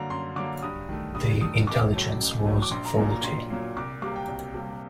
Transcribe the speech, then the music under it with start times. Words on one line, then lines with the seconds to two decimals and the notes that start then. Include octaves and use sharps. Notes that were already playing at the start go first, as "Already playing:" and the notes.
The intelligence was faulty.
Already playing: F#2 D3 F#3 A#3 A#5
0.10 F#2 C6
0.36 D3 F#3 A#3 D6
0.62 G2 D#6
0.89 D#3 A3
1.15 G2 D#6
1.41 D#3 A3 D#6
1.67 A1 D6
1.93 A2 F#3 A3
2.19 A1
2.46 A2 F#3 A3
2.62 D6
2.71 A#1 C6
2.85 A#5
2.97 A#2 F#3 A#3
3.10 A#5
3.23 A#1 C6
3.50 A#2 F#3 A#3
3.77 C2 D6
4.02 C3 G3 A#3 D6
4.16 G5
4.28 C2
4.54 C3 G3 A#3